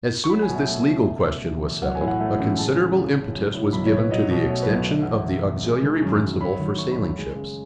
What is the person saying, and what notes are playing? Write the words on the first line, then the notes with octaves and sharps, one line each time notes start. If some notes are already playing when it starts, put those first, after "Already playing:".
As soon as this legal question was settled a considerable impetus was given to the extension of the auxiliary principle for sailing ships.
C#6
F#3 B5
G#5
B2
E5
A3
C#2
A3
B2
E2
E2
F#3 F#5
G#5
A2
F#5
A3
A1
G#3 A5
C#3
C#2
C#2
F#3
A2
B1 B5
C#5
B1
B4
F#3 D#5
B2
A3 C#5
B4
B1
C#5
B2 D#5
E2 F#5
E5
E1 E5
E1
G#3
D#3
F#2
F#2
F#3 B5
D#3
A3 C#6
B5
E2
G#3
C#3